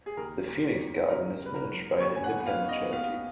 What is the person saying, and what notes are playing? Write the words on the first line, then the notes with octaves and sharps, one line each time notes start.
The Phoenix Garden is managed by an independent charity.
G#4
D#2 A#4
D#2
B3
F#3 A#4
C#3
B4
A#4
F#3
D#2 C#5
G#5
F#5
B3
F#5
F5
B3
D#5
B3 F5